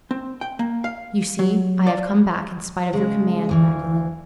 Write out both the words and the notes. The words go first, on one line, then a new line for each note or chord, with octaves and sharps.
"You see I have come back in spite of your command, Magdalen."
C4
G5
A#3
F5
F#3
D5
C#3 G#3
D2 E3 F3